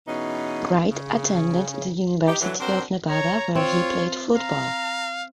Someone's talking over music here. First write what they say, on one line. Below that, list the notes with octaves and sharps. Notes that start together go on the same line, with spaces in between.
Wright attended the University of Nevada where he played football.
B2 E3 C#4 D#4 G#4
C#3
D#4 G4
D3 E3 F#3
C4 D4 F#4 A#4 C5
C#5 A#5
C4 F4 C#5
F5 A#5